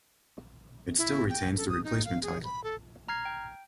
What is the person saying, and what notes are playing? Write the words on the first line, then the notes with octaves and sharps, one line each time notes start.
It still retains the replacement title.
E4
G5
A4
D#6
D#4
F5
G#4
B5
A4
A#5 F6 G#6 C7
G5